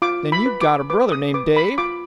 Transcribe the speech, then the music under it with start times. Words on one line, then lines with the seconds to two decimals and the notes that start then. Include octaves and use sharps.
"Then you've got a brother named Dave?"
0.02 F4 D6
0.32 B5
0.46 B4
0.61 D6
0.90 B4 D6
1.12 D#6
1.34 B4 D6
1.57 B5
1.78 F4 D6